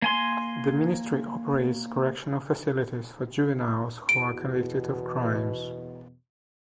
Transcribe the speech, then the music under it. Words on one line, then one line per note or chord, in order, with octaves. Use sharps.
The ministry operates correctional facilities for juveniles who are convicted of crimes.
A#3 G#5 C6
E2 B2 D7